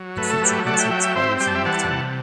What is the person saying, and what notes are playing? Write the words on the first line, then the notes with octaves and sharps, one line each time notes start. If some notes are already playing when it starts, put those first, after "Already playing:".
It feeds on insects, spiders and nectar.
Already playing: F#3
A3 B4
A4
F#3 G4 B4
A3 D5 F#5
A5
E5 G5
F#3 E5 G5
E5 G5
C4 C5 E5
G3 G5
A5
E5 G5
E3 F#5 A5
C3